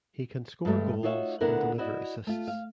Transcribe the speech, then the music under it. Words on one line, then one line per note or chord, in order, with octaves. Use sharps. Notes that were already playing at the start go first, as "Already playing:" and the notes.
He can score goals and deliver assists.
G2 G#3 A3 G4
D#4 F4 F#4 C#5 D#5 E5
D2 D3 B3 E4 A#4 F#5
E4 F#4 D5 D#5
A3 F4
F5